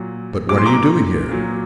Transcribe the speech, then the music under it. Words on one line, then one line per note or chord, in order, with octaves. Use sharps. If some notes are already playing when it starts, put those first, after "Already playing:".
"But what are you doing here?"
Already playing: A#2 F#3
A#2 F#3 D6
C6
A#5 D6
A#2 F#3